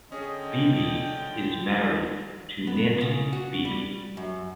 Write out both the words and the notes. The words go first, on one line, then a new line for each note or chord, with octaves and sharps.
Beebe is married to Nancy Beebe.
D3 C#4 G#4 D#5 G5
B3
C#3
F#4
G3
F#2